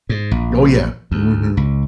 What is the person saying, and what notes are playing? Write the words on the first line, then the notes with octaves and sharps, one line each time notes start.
Oh, yeah. Mhm.
G#2
A#1
D2
C#2